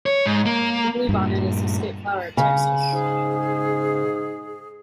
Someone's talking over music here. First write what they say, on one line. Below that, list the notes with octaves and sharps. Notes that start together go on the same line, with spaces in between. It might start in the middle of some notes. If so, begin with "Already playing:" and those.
The bluebonnet is the state flower of Texas.
C#5
G#2
A#3
G2 A#2
C#3
G#2 G#4